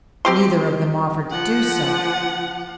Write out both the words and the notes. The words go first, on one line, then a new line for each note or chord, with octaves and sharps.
Neither of them offered to do so.
C4 G4 C6
F3 F#5